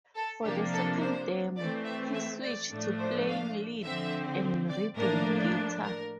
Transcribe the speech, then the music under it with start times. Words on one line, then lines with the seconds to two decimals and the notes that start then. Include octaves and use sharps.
For the second demo, he switched to playing lead and rhythm guitar.
0.16 A4
0.44 C3 F3 A#3 D4 G4
0.73 A4
1.01 C5
1.58 E3 A3 C4 D5
1.86 E5
2.14 E5
2.43 D5
2.71 A2 F3 A3 D4
2.99 C5
3.28 F5
3.84 D3 F3 C4 E5
4.70 D5
4.98 A2 F3 A#3 D4 A#4
5.83 A#4